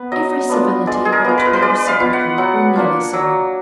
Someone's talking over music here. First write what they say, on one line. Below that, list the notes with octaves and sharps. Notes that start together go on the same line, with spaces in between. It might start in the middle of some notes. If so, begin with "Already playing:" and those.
Every civility ought to be reciprocal, or nearly so.
Already playing: B3 B4
F#3 D#5
B3 D4 F4
G#3 D5
G#4
A#4
B3 F4
B4
A#4
B4
G#3 D5
F5
B3 F4
F#5
F#3 F#5
A#3 D4 F4
F#3